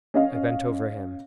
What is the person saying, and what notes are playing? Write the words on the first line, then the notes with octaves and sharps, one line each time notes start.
I bent over him.
C#4 D#5 F5